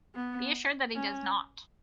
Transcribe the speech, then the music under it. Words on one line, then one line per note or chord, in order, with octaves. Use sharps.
Be assured that he does not!
B3
C#4